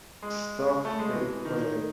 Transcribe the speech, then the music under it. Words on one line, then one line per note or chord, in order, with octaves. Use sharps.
Stuffed eggplant
G#3
A3
G#3
E3
D#3